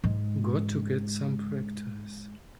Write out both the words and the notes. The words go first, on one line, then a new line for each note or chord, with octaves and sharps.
Got to get some practice.
G#2 G#3